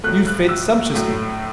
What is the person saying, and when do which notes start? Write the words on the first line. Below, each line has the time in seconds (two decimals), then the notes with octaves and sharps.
You fed sumptuously.
0.04 A2 F#3 A3 F#6
0.27 F#6
0.49 E6
0.93 A2 F#3 A3